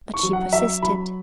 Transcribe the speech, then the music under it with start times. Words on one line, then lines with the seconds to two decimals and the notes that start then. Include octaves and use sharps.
But she persisted.
0.14 C#6
0.23 F#3
0.33 F#5
0.53 F#3 E5
0.82 F#3 B5